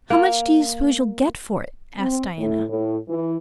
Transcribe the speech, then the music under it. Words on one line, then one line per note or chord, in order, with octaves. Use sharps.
"How much do you suppose you'll get for it?" asked Diana.
A#3
C4
A2
A2
E3